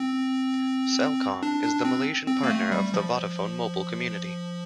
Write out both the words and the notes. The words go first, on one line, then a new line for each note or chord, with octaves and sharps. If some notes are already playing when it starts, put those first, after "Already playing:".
Celcom is the Malaysian partner of the Vodafone mobile community.
Already playing: C4
D4
D4
C4
C4
A#3
A3
G3
F3